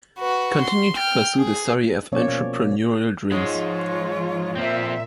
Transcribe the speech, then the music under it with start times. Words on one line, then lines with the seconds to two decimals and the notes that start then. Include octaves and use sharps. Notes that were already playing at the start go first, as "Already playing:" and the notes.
Continue to pursue the story of entrepreneurial dreams.
0.19 F#4 B4
0.61 C6
0.96 G5 F6
1.39 G#4
2.12 B2 F3 A#3 C#4 C#5 D5
3.32 G#2 F3 G#3 F4 C#5
4.56 A#2 F3 C4 E5